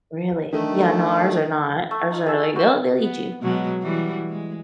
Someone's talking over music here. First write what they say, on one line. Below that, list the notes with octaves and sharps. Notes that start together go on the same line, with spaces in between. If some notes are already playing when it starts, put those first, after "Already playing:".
Really? Yeah, no, ours are not. Ours are like they'll they'll eat you.
D#3 A3 D4 A4
A3
D#4 F4
G#4 A4 E5
A#4
F#4 C5
B3
B2 F#3 G#3
E3 G3 F#4
G#3